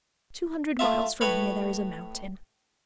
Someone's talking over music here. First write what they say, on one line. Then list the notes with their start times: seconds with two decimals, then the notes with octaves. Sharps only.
Two hundred miles from here there is a mountain.
0.79 A3 F4 E5
1.21 A2 B4 C#5 B5